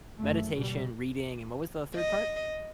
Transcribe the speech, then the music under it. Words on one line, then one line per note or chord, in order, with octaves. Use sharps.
meditation, reading, and what was the third part?
F#1 A3
B2 G3
D#5